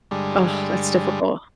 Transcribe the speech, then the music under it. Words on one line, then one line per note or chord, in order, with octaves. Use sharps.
Ugh, that's difficult.
G2 D3 G3 G#3